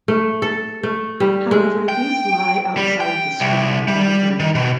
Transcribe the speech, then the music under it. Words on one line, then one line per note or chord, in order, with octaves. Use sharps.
However, these lie outside the stricter boundary.
A3
A4
A3
G3
G#3
G5
G3
G5
C2
G3
D#3
B2